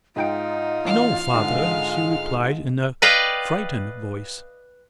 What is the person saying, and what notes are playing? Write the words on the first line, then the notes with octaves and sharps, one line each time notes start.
"No, Father," she replied in a frightened voice.
G#2 D#4 F4 G5 D7
A1 F5 F6
G#2 D3 G#3
B4 D5 D#5 F5 G5